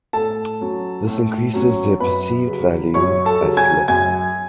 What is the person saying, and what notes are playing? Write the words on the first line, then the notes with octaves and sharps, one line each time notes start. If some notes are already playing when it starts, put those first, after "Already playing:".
This increases their perceived value as collectibles.
A2 A4 A5
F#3 C#4
A2
F#3 C#4
F#2 B4 B5
C#3 F#3
F#2 C#5 C#6
A4 A5
C#3 F#3
G#5 G#6
F#2 G#5 G#6